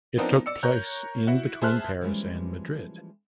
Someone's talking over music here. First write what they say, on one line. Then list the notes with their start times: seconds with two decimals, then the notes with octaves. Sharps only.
It took place in between Paris and Madrid.
0.18 F3 B3 C4 D4 D#4 A#4
0.46 D5 E6 C#7
0.63 A#4 C#5 A#5 F#6 G6
1.27 E4 F#4
1.62 G#4 C5 E5 A5 F6 F#6
2.01 E3 F3 G3 G#3 A#3 C#4